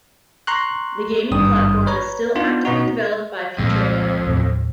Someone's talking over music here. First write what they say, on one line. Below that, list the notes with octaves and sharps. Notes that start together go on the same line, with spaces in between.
The gaming platform is still actively developed by Futrega.
A#5 C6 C#6 F#6
G#1 G2 D#6
B4 C#5 A#5
B3 D4 D#4 F4
B2 B3 D#4 F#4
C2 F2 A#2 G#3
D#2 A2 C3